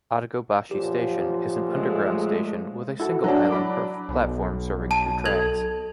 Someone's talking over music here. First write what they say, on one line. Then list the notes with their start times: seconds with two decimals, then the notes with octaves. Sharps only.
Atagobashi Station is an underground station with a single island platform serving two tracks.
0.71 F#2 A#2 F3 G4
1.69 G#3 A3
3.00 E4 F#4 A4
3.24 F#3 D4 F#4
3.51 B5 D6
4.09 B1
4.91 A5 D#7
5.26 A4 G#6 F#7